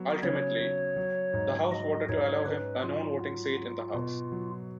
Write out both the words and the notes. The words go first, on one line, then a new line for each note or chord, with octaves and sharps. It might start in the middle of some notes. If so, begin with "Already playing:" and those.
Ultimately, the House voted to allow him a non-voting seat in the House.
Already playing: F#3 B3
C#3 C#5
F#3
F#3
G#2
F#3 D#5
G#2 C#5
C#4 B4
F#3 F4
F#4
F#4
B2
F#3